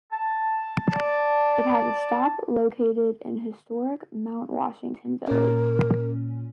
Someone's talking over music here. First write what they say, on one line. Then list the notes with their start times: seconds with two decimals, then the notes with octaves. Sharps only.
It has a stop located in historic Mount Washington Village.
0.13 A5
0.94 D5
5.28 A#2 C#4 A#4